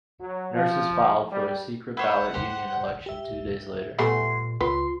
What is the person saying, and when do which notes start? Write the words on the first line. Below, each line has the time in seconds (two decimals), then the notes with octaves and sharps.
Nurses filed for a secret-ballot union election two days later.
0.20 F#3
0.53 F3
1.31 G3
1.97 E4 C5 C#5 F#5
2.34 G4 C5
3.06 G4 E5
3.99 A#2 G3 A3 B3 E5 F#5 G#5 C6
4.61 C#2 F4 B4 C6